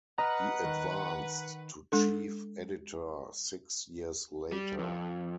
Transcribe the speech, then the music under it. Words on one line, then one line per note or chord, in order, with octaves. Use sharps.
He advanced to chief editor six years later.
B4 D#5 F#5 A#5 F6
D#3
G#3 D4 A4
G3
F2